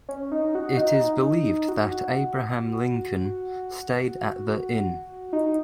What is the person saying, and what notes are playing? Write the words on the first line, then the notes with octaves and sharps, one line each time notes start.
It is believed that Abraham Lincoln stayed at the Inn.
C#4
D#4
F#4
D#4
D#4
F#4
D#4